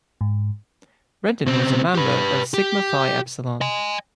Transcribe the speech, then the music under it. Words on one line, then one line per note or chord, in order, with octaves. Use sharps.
Brandon was a member of Sigma Phi Epsilon.
G#2
C#3 C4
G4 B4
G4
D#5 G#5